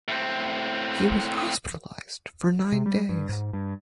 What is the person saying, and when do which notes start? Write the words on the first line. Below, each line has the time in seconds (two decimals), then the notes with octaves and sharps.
He was hospitalized for nine days.
0.08 A2 C4
2.72 C3
2.86 G3
3.09 G2
3.29 G#2
3.53 G2